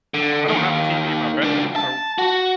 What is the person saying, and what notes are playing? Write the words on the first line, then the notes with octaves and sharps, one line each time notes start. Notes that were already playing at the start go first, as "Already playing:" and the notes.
I don't have a TV in my bedroom, so,
D3
D#2 D#3
C#2 D4
A5
F#4